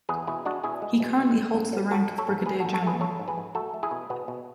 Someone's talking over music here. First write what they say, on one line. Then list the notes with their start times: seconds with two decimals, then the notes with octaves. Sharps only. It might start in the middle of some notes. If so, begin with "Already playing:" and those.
He currently holds the rank of Brigadier-General.
0.09 E2 G#4 B4
0.27 B2 E4 G#4
0.45 G#3 D4 F#4
0.64 B2 E4 G#4
0.82 G#3
1.00 B2
1.18 B2
1.37 G#2
1.54 G#2
1.73 F#3
1.91 G#2 F#4 A4
2.09 G#2
2.18 A4 C#5
2.28 G#2
2.46 G#2 G#4 B4
2.60 F#4 A4
2.65 G#2
2.73 F#4 A4
2.83 A3 G#4 B4
3.01 A3 A4 C#5
3.19 G#2
3.28 G#4 B4
3.38 G#2
3.55 A3 F#4 A4
3.74 A3
3.83 E4 G#4
3.91 B2
4.10 B2 B3
4.28 B2